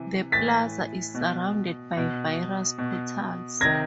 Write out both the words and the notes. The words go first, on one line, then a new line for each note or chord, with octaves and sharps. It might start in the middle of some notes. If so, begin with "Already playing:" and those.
The plaza is surrounded by various portals.
Already playing: C3 E3
A2 E3 A6 B6
B2
B2
B2
C3 D#3 G#6 A#6